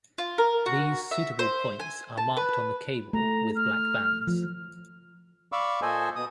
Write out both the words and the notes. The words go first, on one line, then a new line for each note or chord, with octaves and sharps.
These suitable points are marked on the cable with black bands.
F4
A#4
F#4
E5
C5
G#5
A5
B4
A3 A#5
F6
F3
D5 F5 B5 C#6 D6 E6
A#2 A4 C5 D#5 G#5
B2 D#6